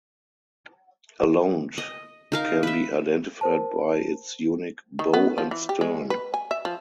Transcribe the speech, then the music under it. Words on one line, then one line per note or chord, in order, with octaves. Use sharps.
A londe can be identified by its unique bow and stern.
D#5
D#4 A#4 F5
B4 E5
A#4 C5 A5
D#3
B3
F3
E3
G4
G#3
B4
G#5
E5
F3